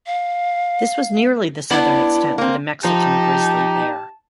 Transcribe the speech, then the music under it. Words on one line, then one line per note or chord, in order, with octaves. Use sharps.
This was nearly the southern extent for the Mexican grizzly bear.
F5
B3 D4 E4
A#3 C4
F3 D#4 G4 A5